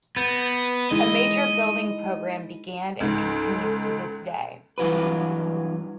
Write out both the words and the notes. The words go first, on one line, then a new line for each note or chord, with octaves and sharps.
A major building programme began and continues to this day.
B3 G6 A6 A#6
G#3 D#4 E4 D#5
C#2 G#2 A4
G2 E3 F#3 B4